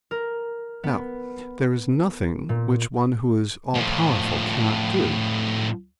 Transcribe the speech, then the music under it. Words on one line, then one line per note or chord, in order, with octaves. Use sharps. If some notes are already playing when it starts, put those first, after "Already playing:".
'Now, there is nothing which One who is all-powerful cannot do.'
A#4
B3
A#2
A2 F3